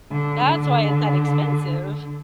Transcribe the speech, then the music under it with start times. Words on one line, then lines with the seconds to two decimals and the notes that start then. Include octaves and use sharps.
that's why it's that expensive."
0.12 D3
0.44 D3